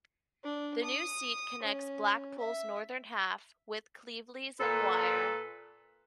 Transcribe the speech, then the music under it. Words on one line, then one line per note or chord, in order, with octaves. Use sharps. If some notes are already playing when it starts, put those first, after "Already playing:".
The new seat connects Blackpool's northern half with Cleveleys in Wyre.
D4
D#6
C#4
E5
A#2 A4 B4